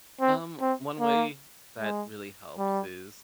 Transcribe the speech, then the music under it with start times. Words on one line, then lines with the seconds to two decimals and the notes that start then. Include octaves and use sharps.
Um, one way that really helps is
0.21 C4
0.61 C4
1.00 A#3
1.79 G#3
2.58 G3